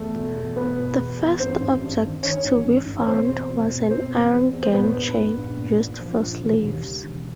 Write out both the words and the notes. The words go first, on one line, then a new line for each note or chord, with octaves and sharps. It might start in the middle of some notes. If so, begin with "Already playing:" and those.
The first object to be found was an iron gang chain, used for slaves.
Already playing: E2 A3 A4
B2
E2
B2 B3 B4
B2
E2
E2
A1 C4 C5
A1
G2
D#3
D#3 C#4 C#5
A1
A1
A1
C#5
B2 C4 C5
E2
B2
B2
B2 C4 C5
E2
E2
E2
C5
A#2 B3 B4
A#1
A#1
A#1
A#2
A#1
F3
A#1
E1
D#2
C#3
E1